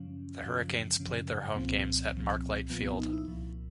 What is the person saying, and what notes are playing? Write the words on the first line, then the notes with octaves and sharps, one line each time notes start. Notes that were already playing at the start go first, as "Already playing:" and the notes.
The Hurricanes played their home games at Mark Light Field.
Already playing: F#2 C#3 F3 C#4
F#2 C#3 F3
F#2 C#3 F3
C2 A#2 F3 C4
C2 A#2 F3
C2 A#2 F3 B3
C4
B3
D#4
E4
C2 A#2 F3